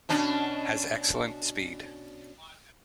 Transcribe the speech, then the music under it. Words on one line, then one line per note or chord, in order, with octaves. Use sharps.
Has excellent speed.
B2 C#4 D4